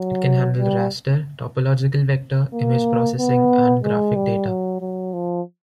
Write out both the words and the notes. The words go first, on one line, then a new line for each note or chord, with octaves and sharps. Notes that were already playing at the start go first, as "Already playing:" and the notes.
It can handle raster, topological vector, image processing, and graphic data.
Already playing: F#3
G3
A#3
B3
G#3
G3
F#3
F#3
F3